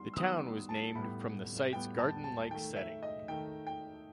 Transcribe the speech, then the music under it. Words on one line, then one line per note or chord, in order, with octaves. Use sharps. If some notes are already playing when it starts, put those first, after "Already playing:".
The town was named from the site's garden-like setting.
Already playing: D#3 G3 B3 C6
E6
D#3 G3 B3 D#6
A5
A2 G3 B3 B5
A2 G3 B3 G5
A5
A5
D#3 A3 G5
E5
D#5
D#3 A3 G5
G5